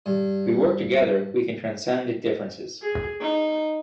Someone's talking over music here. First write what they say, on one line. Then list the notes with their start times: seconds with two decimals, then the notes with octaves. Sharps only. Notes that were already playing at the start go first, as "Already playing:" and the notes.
If we work together we can transcend differences.
0.06 G2
2.82 G#4
3.21 D#4